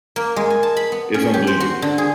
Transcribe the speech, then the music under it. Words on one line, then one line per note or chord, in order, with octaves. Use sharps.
it's unbelievable,
A#3
G#3
G#5
A5
B5
B3
C#4
G4
C5
F#4
D3
G#4